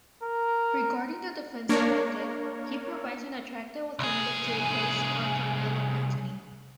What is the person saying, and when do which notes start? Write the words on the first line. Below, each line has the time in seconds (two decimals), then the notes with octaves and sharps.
Regarding the defensive method, he provides an attractive alternative to replace star Carmelo Anthony.
0.22 A#4
1.69 A#3 D4 A#4 C#5
3.99 C2 G#4